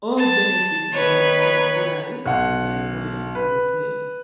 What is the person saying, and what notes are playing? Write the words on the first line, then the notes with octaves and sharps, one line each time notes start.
All benefits of digital fly-by-wire are retained.
A5
D#3 D#4 B4 C#5
B1 F#5
B4